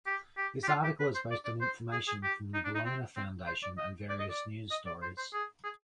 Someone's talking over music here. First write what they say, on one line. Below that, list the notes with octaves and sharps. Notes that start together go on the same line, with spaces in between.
This article is based on information from the Bellona Foundation and various news stories.
G4
G4
G4
F4
G4
B4
C5
D5
D5
C5
G#4
G#4
G4
D#4
D4
D#4
C4
C4
C5
D5
D#5
D5
D#5
D5
D#5
D5
C5
C5
G#4
G#4